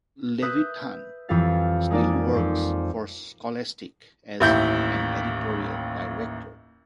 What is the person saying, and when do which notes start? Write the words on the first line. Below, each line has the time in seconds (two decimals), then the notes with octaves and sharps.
Levithan still works for Scholastic as an editorial director.
0.42 B4 E5 D#6 F#6 G6
1.29 F2 E3 G3 E4 F5 A6
1.91 G#3 A#3 D#4 D5
2.33 F2 C5 D6
4.40 A1 D#2 E4 E5 G6